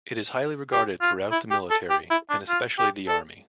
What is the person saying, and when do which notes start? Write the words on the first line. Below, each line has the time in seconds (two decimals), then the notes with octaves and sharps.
It is highly regarded throughout the military, and especially the Army.
0.72 G4
1.01 F4
1.32 E4
1.51 G4
1.70 A4
1.90 G4
2.10 E4
2.30 D4
2.49 F4
2.78 G4
3.08 A4